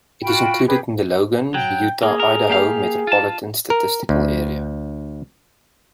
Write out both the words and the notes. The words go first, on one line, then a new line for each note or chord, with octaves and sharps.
It is included in the Logan, Utah-Idaho Metropolitan Statistical Area.
F4 F#4 G5 B5
G4 G#4 B4
F#3 G5
A#3 G#4
A#4
A#3 G4 F5
F4 A5
A#4
D2